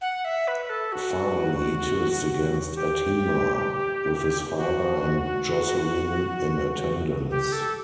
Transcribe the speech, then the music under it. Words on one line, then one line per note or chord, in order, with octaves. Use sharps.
Finally he tilts against Adhemar, with his father and Jocelyn in attendance.
F#5
E5
B4
A4
F#4
G4
F#4
G4
A4